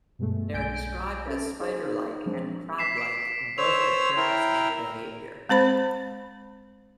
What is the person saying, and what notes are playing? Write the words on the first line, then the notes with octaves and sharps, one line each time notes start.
They are described as "spider-like" and "crab-like", in both appearance and behavior.
G2 B2 G#3 A3
B1 G#5 G6 D7
C#4 A4
D#4 G#4 C5 C#5
F3 G#3 C4 D4
B6 C7 E7
D7 E7
C5 C#5 E6 F7
E4 A#4 G5
G#3 C4 C5 B5